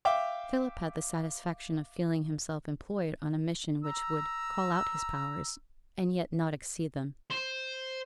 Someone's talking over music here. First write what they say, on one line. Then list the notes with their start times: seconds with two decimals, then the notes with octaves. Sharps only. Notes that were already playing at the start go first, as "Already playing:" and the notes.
Philip had the satisfaction of feeling himself employed on a mission which would call out his powers, and yet not exceed them.
0.05 E5 F5 G5 D6
3.84 A#5 E6
7.30 C5